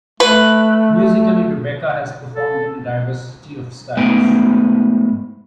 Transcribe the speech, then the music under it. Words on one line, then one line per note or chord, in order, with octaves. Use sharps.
Musically, Rebecca has performed in a diversity of styles.
A3 B4
A4
G#2 A3 B3 G5 G#5